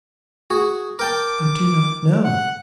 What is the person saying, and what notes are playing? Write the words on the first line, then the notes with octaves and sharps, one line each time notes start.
"I do not know."
F#4 G#4
A#4 G5 A5 D6
F#5